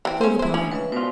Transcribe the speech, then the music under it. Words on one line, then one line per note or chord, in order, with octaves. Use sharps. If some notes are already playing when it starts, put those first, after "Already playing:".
Fill the pie.
E3 C4
B3 C#4 C5
E4 C5
A3 C#4 D4 D#6
C#2 B4 E5
B2 F4 C5 D5